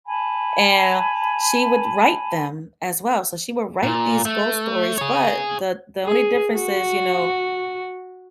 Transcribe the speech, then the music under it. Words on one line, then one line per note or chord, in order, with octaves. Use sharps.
and she would write them as well. So, she would write these ghost stories, but the the only difference is, you know
G#5 A5 B5
A#2
A3
G#4 C#5
G#4
F#4